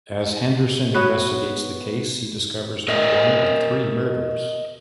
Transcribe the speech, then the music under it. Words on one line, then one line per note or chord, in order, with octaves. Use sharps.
As Henderson investigates the case, he discovers not one but three murders.
B3 F#4 B4 C#5
A#4 D#5 E5